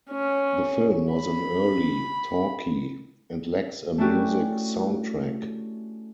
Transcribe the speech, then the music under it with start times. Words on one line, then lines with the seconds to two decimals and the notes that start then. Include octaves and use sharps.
The film was an early "talkie" and lacks a music soundtrack.
0.11 C#4
1.14 B5
3.98 A3 C#4 D4 E4 F#4 G4